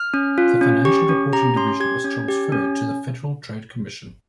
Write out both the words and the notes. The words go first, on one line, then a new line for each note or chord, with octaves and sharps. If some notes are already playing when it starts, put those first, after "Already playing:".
The Financial Reporting Division was transferred to the Federal Trade Commission.
Already playing: F6
C#4
F4
C#4
G4 C#6
C#4
G4 A#5
C#4 C6
G4 G#6
C#4
G4
C#4